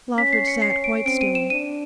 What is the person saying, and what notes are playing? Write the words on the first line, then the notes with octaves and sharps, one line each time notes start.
Lawford sat quite still.
C#4 B6
C7
C#7
C7
D7
C4 D7
D#7
E7
D4 D#7